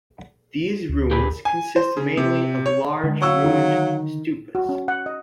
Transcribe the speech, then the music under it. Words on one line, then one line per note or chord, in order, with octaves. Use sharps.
These ruins consist mainly of large ruined stupas.
D2
G4 G#4 B4
G#5
C5
C#3
C3
C#5
D3 G#3
F#3 F5 C#6 E6
D#3
F#4
C#4
F#5
D#5